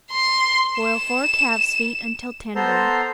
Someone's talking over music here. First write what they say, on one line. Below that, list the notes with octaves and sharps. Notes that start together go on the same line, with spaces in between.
Boil four calves' feet until tender.
C6
E7
B3 A4 C5 A#5 C6